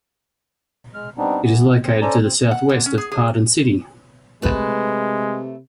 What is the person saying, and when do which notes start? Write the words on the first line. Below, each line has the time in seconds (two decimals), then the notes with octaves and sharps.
It is located to the southwest of Paden City.
0.94 G#3 F6
1.18 G3 B3 C4 D4 D#4
1.42 E3 B3
1.83 C4
2.02 C#4 A4 C5 D5 G#5 A#5
2.23 C4
2.51 F#5
2.69 D3
2.86 C#4
2.98 G#4
3.12 G#4
4.42 C3 G#3 A3 B4